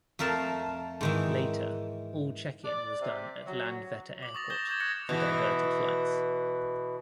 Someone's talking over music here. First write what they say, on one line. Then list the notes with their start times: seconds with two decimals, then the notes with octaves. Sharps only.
Later all check-in was done at Landvetter Airport for diverted flights.
0.19 F2 A3 A#4 F5 A5
1.01 G#2 D#3 E3
2.65 D5
3.00 C3
3.46 F#3
4.23 D6 F#7
4.35 C#6 D#6 A6 A#6 F7
4.50 G6 A6 A#6 E7 G7
4.69 D#6 G6 G#6 E7 G7
4.80 D6 F#6 G#6 A#6 C#7 F#7
5.09 B2 E3